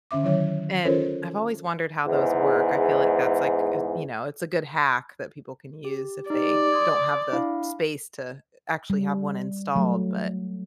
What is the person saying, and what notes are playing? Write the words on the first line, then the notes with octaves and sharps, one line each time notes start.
And I've always wondered how those work. I feel like that's like eh you know, it's a good hack that people can use if they don't have the space to uh actually have one installed but
D3 C#4 E5 D6
D#3 F#3 E4 C#5 E5
C#4 F4 A4 A#4 C5 C#5
E2 G#2
G4
D#4 G4 D5
C6 D#6 G#6
D4 E4 F5
G3
F#3 A3